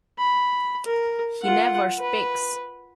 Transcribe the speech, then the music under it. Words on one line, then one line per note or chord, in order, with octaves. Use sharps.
He never speaks.
B5
A#4
F4 F#5
B4